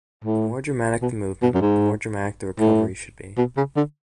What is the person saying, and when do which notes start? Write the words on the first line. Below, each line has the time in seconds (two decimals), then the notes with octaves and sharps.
The more dramatic the movement, the more dramatic the recovery should be.
0.25 A2
1.02 B2
1.42 B2
1.55 F#2
1.61 G#2
2.60 A2
3.38 B2
3.57 C#3
3.77 D3